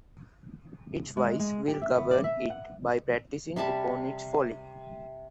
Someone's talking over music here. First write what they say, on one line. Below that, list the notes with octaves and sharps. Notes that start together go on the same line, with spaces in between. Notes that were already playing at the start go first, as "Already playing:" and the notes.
Its vice will govern it, by practising upon its folly.
G#3
G#3
G4
E5
B3
D5
E5
F#5
C3 G3 A5 B5